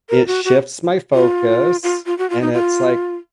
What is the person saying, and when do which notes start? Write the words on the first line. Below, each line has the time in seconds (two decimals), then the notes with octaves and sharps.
it shifts my focus, and it's, like,
0.09 A#4
0.27 F#4
0.45 F#4
1.14 F4
1.83 F4
2.06 F4
2.18 F#4
2.30 F4
2.41 D#4
2.53 F4